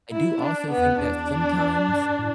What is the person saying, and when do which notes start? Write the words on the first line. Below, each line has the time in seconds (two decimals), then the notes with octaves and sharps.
I do also think that sometimes
0.12 E4
0.40 D4
0.70 B3
0.78 E2
1.00 E2 D4
1.88 G2
2.19 A2